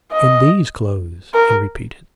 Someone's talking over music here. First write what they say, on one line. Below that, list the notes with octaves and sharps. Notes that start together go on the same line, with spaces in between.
In these clothes,' he repeated.
D#5
A#4